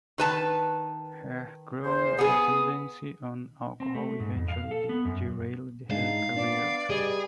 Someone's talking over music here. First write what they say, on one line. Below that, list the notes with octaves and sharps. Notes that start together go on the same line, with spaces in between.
Her growing dependency on alcohol eventually derailed her career.
D#3 B4 A5
E2 C5
B3 G#4 D#6
C4
A3
G#2
F2
F5
A4
B3
F#2
G#2 G#3 D4 D#4 F5
B3 D4 D5
G3 G#4 B4 D#5